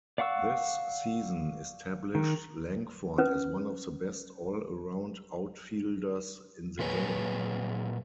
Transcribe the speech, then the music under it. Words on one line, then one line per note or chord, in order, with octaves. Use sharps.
This season established Lankford as one of the best all-around outfielders in the game.
D5 F5 F#5 C#6 E6
D#3
C#4 B4
A#2 F#3 G#4 B4 C#5 G#5